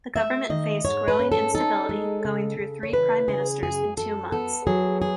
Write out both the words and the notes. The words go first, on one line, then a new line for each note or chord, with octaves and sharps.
The government faced growing instability, going through three prime ministers in two months.
A3 E5
D#3 D#5
G#2 C#5
B4
C#4
A4
D#4 A4
G#3
C#3
C#3
C#5
E3 B4
C#3 G#4
F#2 G#4
F#2 A4
B3 A4
F#3 G#4
G#4